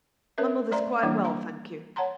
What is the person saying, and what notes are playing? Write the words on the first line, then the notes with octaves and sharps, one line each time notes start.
My mother's quite well, thank you.
C#4 A#4 B4 C#5 E5
A3 C5 D5 E5 A#5 C6
E3 G3 A#3 D4 E4
F5 A#5
C#5 F#5 A5 A#5 C6